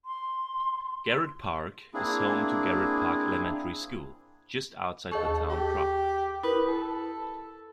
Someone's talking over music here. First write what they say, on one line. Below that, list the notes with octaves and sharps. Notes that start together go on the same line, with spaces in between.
Garrett Park is home to Garrett Park Elementary School, just outside the town proper.
C6
A#3 C4 D4 E4 G#4
D#2 G#4 A4 C#6
G4
E4 A#4 B4
A4